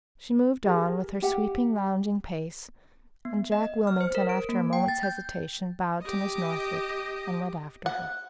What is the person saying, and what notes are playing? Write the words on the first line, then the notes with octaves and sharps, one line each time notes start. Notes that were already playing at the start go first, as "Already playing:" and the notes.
She moved on, with her sweeping, lounging pace, and Jack Wilmington, after a moment's hesitation, bowed to Miss Northwick and went after her.
G4 G#4 A#4
G4 F#5
B3
D#5
F6
C5
A#4
D7
A#3
G5
A6
G6
G4 D#5
F#5